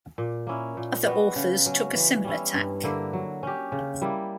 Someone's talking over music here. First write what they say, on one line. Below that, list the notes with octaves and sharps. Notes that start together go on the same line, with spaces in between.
Other authors took a similar tack.
A#2
A#3 C#4 E4
A#2
G3 B3 F#4
C#3
F#3 C#4
E3
G3 C#4 E4
G2
D3 A#3 E4
F#3
C#4 G4
C#3
G3 A#3 E4